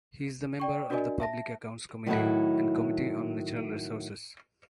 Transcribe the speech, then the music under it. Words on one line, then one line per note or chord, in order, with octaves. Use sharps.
He is the member of the Public Accounts Committee and Committee on Natural Resources.
D5 G5 C#6
D4 F#4 A#4 D5 D#5 G#5
E5 A5 A#6
A2 D#3 F#3 A3 E4 F#5